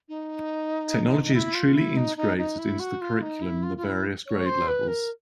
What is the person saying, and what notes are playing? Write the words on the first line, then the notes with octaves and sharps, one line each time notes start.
Technology is truly integrated into the curriculum in the various grade levels.
D#4
E4
F4
E4
D#4
D#4
D#4
E4
F#4
F4
D#4
E4
F4
F4
E4
C#5
C5
B4
A#4